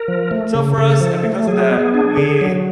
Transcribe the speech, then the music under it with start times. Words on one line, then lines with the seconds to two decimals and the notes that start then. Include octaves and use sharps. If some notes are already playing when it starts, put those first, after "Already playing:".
So for us, and because of that, we
Already playing: A#4
0.08 F3
0.31 A3
0.55 C#3
0.78 C#3 A4
1.01 F3
1.24 A3
1.47 F#3 G#4
1.71 B3
1.94 D4
2.17 D3
2.41 F#3